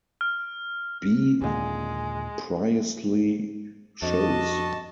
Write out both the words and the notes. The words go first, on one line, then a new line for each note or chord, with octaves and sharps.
B. Priestley shows.
F6
D#2 A#2 D3 G#3
F2 D4 F#4 D#5 A5